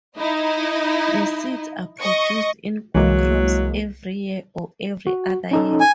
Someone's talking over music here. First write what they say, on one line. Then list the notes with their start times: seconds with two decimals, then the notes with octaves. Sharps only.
The seeds are produced in good crops every year or every-other year.
0.18 D#4 E4 D#5
2.01 D#5 C#6
2.95 C2 E3 F#3 G#3 A#3
5.07 F#4
5.51 C#4 D#4 A4
5.81 G#5